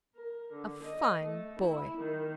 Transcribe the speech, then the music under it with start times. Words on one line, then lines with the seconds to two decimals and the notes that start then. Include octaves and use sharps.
"A fine boy."
0.16 A#4
0.53 D3
0.85 D#5
1.22 A3
1.59 E4
1.98 D#3